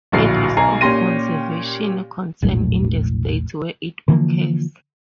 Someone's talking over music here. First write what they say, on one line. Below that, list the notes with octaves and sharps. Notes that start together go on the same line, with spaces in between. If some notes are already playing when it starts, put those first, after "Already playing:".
It is of conservation concern in the states where it occurs.
D1 A#1 C7
B1 G#5 A#5 C7
A#2 C#4 G4 C6 A#6 D#7
E1 A#1 A2 F#3
D3 E3 F3 A#3